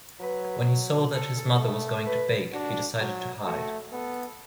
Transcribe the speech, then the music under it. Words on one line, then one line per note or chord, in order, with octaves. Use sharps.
When he saw that his mother was going to bake, he decided to hide.
F#3 B4
A4
A3
B4
D4 F#4
F#3
A3 F#4
B3 A4